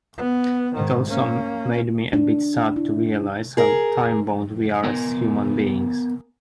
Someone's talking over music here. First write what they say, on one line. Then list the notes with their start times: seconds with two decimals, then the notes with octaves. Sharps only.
It also made me a bit sad to realize how time-bound we are as human beings.
0.17 B3
0.75 G#2 D#3
1.09 A#3 C#4
2.13 D4
2.76 E4
3.57 G#4 A#4
4.84 B3 A#4 G#5